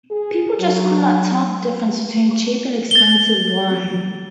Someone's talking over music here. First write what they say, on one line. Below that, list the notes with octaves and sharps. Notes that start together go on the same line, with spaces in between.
"People just could not tell the difference between cheap and expensive wine".
G#4
F#3
A6 G7